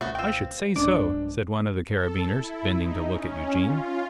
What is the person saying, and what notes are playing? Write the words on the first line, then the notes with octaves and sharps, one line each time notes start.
"I should say so," said one of the Carabineers, bending to look at Eugene.
C#2 B2 A3 B3 F#4
C4 F4 G5 E6
B1 G2 G#3 D4 D5 D6
A4
E4
D#4
C#4
F4